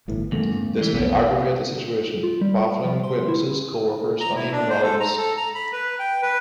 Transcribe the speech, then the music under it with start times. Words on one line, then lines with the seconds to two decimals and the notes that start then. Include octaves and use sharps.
This may aggravate the situation, baffling acquaintances, coworkers, and even relatives.
0.08 G1 A2 E3
0.32 E2 G2 C#3 A3 A#3
0.78 E3 G#3
0.94 B1 F2 B2 B3
2.23 F4
2.41 G3
2.84 F3
3.04 C6
3.28 E4
4.20 A#5
4.36 E4
4.52 D4
4.69 C5
4.83 A4
5.00 A#5
5.18 A4
5.37 A#5
5.55 B5
5.73 B4
5.99 G5
6.22 B4